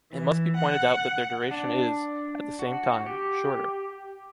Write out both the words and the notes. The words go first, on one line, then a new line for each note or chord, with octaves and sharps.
It must be pointed out that their duration is, at the same time, shorter.
E3
F#5
D4
F#4
G4